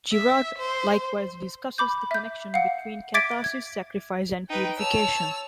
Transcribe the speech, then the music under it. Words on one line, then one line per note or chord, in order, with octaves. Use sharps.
Girard likewise discusses the connection between catharsis, sacrifice, and purification.
E5
C5
B5 D6 G6
E5 G6
F5 F#5
E5 D6 G#6 A6 B6 D7
G#6
D#4 B4 G5
C#5 A5 E6 F7